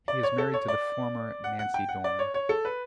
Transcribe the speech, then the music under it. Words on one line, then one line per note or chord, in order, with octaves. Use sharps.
He is married to the former Nancy Dorn.
D5
C#5
A4
C#5
D5
F#5
F#5
G5
F#5
D5
C#5
C#5
A4
B4